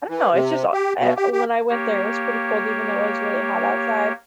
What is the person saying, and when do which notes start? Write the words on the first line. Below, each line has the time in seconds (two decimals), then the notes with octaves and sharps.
I don't know. It's just hot er when I went there it was pretty cold even though it was really hot outside.
0.09 E3
0.33 C3
0.73 G4
1.00 B2
1.17 G4
1.33 G4
1.69 A#3 G4 C#5